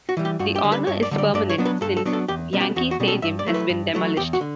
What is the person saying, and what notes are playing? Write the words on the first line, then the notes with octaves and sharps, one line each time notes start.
The honor is permanent since Yankee Stadium has been demolished.
F#4
E3 G3
G4
G2 F#4
G4
D3 G3
B4
G2 C#5
D5
D3 G3
D5
G2 D5
C#5
F#3 B3 D4
B4
G2 A4
A4
F#3 B3 D4
A4
E2 G4
B2 G3 C#4
G4
E2 F#4
F#4
B2 G3 C#4
A4
G2 E5
D5
F#3 A3 E4
B4
G2
F#3 A3 E4
E2 G4
F#4
D3